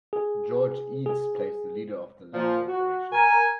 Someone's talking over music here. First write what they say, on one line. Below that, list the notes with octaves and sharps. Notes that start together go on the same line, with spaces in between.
George Eads plays the leader of the landing operation.
G#4
G#4
A#2 F3
F#4
A#4 G#5